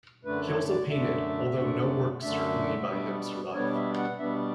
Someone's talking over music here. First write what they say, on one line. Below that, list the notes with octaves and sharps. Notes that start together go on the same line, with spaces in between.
He also painted, although no works certainly by him survive.
F#2 D3 A3 D4 B4
C#5
D5
F#2 D3 A3 D4 E5
F#2 D3 A3 D4
F#2 D3 A3 D4 E5
B2 G3 B3 D4
B2 G3 B3 D4 C#5
E5
F#5
B2 G3 B3 D4 E5